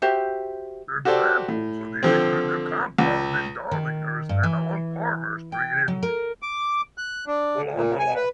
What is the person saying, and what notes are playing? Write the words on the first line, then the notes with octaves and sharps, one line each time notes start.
Examples of these include "The Compound" in Darlinghurst and along Palmer Street in Woolloomooloo.
F#4 G4 C5 E5
F#4 G4 A4 C5 D5
A2
D3 F3 C4
C#2
D#3
G2
E3
G5
F#3
A#4
D6
F#6
D4
A#2
G#5
B4